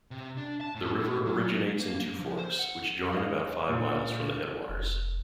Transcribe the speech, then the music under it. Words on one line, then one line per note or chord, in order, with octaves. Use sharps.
The river originates in two forks, which join about five miles from the headwaters.
C3
D4
A5
A2
A2
F#3
A#3
A#3
F3
C5
F#5
D#5 F5
A#2
F1